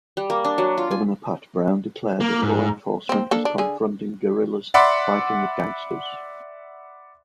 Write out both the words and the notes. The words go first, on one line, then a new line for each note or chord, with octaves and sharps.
Governor Pat Brown declared that law enforcement was confronting "guerillas fighting with gangsters".
G3
A#3
D4
F#3
F4
G#5
A#3
G#2
A#3 C4
A#3 D4 A4
D4
D3 G#4
D5 E5 F#5 B5 C6 D6